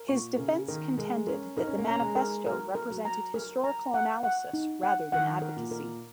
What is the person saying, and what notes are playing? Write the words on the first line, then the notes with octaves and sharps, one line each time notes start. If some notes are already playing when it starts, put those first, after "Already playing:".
His defense contended that the Manifesto represented historical analysis rather than advocacy.
Already playing: A#4
A#2 C#6
C#3 A#4
D#3 A#4
G#3 A#4
C#4 A#4
D#4 A#4
C#4
A#3
C#4 A#5
G#3
A#4
F#3 A#4
A#4
F#3
A#5
A#4
A#5
F#5
F#5
D#4
F#5
D#3 F#5
A#4
A#2
A#4